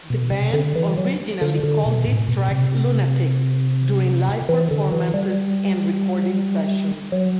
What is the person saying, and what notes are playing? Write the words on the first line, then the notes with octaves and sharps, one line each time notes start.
The band originally called this track "Lunatic" during live performances and recording sessions.
B2
C3
D3
E3
F#3
D3
D3
B2
A2
B2
C3
E3
D3
E3
G3
F#3